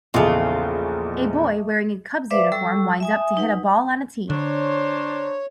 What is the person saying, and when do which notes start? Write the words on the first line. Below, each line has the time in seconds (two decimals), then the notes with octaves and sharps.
A boy wearing a cubs uniform winds up to hit a ball on a tee.
0.14 A#1 E2 C#3 A3 F4 D#5 D6
2.30 B4 C5 D5 E5 F5 D6
2.52 G3 A4 C#6 E6
3.00 E5 G#5 D#6
3.37 D#4 B4 F#5
4.30 D3 D4 C5 C#5 A#5 C6